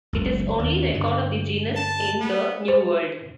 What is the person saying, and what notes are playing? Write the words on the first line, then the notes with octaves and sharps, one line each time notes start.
It is only record of the genus in the New World.
F#1 C#2
D#2
G2 D3
A5
B3
C5